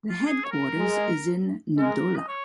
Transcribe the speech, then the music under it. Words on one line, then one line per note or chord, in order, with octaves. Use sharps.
The headquarters is in Ndola.
F4
G#4
C#5
A#4
G#3
G#3 A#4
D#5
C#5